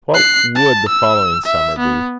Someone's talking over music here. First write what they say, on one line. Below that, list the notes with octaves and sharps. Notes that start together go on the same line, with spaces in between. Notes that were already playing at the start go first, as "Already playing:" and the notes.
What would the following summer be?
F#6 C7
A5
E6
E5
B3